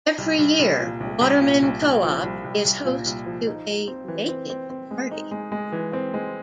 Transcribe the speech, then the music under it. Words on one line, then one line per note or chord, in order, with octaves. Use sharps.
Every year Watermyn Coop is host to a Naked Party.
C2
C2
C2
A#2
C2
C2
A#2
C2
C2
F3
C2
C2
C2
A#2
C2
F3
D#4
D#4
C4
E3
C4
C4
C4
G#3
D#4
G#3
G#3
E3
C4
G#3